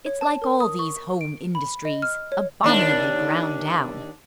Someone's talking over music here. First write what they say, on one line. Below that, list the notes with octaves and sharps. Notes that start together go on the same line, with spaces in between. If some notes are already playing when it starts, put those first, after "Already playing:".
It's like all these home industries, abominably ground down.
C#5
A5
A#4
D#6
C#6
D7
B5
D#5
F6
C#5
D#2 D4